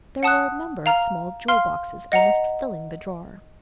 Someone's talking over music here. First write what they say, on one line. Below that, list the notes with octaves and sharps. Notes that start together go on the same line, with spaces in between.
There were a number of small jewel-boxes almost filling the drawer.
F#5 A5 D#6 F#6
F5 A#5 F6
F5 C6 F6
D#5 F#5 A#5